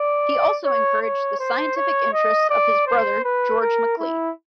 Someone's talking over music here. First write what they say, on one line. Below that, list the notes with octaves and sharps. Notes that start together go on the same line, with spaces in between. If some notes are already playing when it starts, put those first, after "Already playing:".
He also encouraged the scientific interests of his brother George Macleay.
Already playing: D5
C#5
C#5
C5
C#5
D#5
D5
C5
B4
A#4
E4